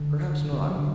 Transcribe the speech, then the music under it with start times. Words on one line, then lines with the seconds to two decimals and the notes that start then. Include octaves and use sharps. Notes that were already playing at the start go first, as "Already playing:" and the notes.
Perhaps not.
Already playing: D3
0.53 D3
0.69 F#3
0.79 D3